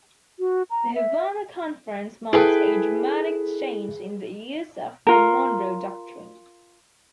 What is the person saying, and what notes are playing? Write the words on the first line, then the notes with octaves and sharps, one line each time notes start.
The Havana Conference marked a dramatic change in the use of the Monroe Doctrine.
F#4
A#5
E5
E4 G#4 A4 B4 G5
F4 A#4